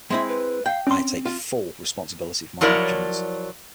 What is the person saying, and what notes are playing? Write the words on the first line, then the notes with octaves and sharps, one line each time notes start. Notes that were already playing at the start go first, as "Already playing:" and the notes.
I take full responsibility for my actions.
G#3 C4 E4 E5
B4
F5 G5
C4 C#4 C6
F4
F3 F#3 E4 A#4 C#5 D5